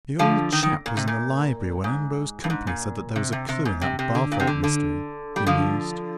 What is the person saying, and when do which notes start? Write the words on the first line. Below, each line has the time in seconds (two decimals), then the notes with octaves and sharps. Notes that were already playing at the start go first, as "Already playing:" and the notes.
"The old chap was in the Library when Ambrose Campany said that there was a clue in that Barthorpe history," he mused.
0.19 D3 F3
0.52 D#3
0.63 D#3
0.86 A#2
0.97 C3
1.08 A#2
1.84 G#2
2.44 G2
2.50 G#2
2.67 A#2
3.16 C3
3.32 C3
3.49 C3
3.65 G#2
3.81 C3
3.99 C3
4.15 D3
4.32 A#2
4.40 C3
4.47 D3
4.64 D3
5.36 G3
5.46 D3 F3